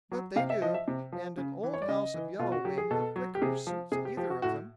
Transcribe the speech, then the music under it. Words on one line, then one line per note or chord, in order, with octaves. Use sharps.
But they do, and an old house of Yellow Wing the Flicker suits either of them.
F#3
C3 F5
E5
F3 D#5
E5
C3
F3
C#3
E3
C#5
D5
C#3 D#5
E3
B2 F4
F#4
F#3 G4
G#4
B2 A4
F#3
G4
C3 G#4
F3
C3 G#4
G4
F3 G4
F#4
A2 F#4